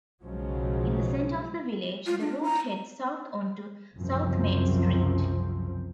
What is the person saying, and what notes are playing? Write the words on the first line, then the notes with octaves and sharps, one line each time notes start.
In the center of the village, the route heads south onto South Main Street.
B1 C#3 F3 F#3 G#3
F4
D4
A#5
C2 F#2 C#3 F3 C4